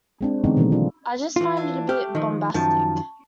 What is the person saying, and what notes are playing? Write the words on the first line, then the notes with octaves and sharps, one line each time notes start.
I just find it a bit bombastic.
G#3 C4 D4
D3 E3 G#3 B3 C4 D#4
B2 D#3 E3 F#3 A3 C4
D4 F4
E3 F4
D4 E5 G#5
A3 G4 F6
D#3 F3
F#2 D#3 F3 A5